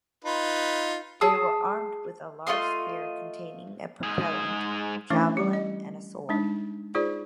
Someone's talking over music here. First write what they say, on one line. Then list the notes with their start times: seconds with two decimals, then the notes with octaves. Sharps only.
They were armed with a large spear containing a propellant, javelin and a sword.
0.24 D#4 F4 B4
1.21 G#4 A5 D#6 E6
2.47 A3 F4 D#5 C6
4.03 G#2 G#4
5.10 E3 A3 C#4 D4 E4 D6
5.37 G3 G4
5.53 D#5
6.29 G#3 D4 D#4
6.95 D#4 F4 G#4 C5 D5